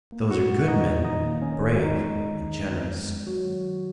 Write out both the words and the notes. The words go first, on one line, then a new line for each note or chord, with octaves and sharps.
"Those are good men, brave and generous."
A#3
A#2 F#4 F#5
G#3
F#5
A#2 D#4 D#5
A#2
D#3 D#4 D#5
A#3
D#3 C#4
D#3
F#4
G#3 D#4
G#3
G#3
D#3
G#3
D#3
G#3
G#3
F#3 G#3 F#4
D#3
D#3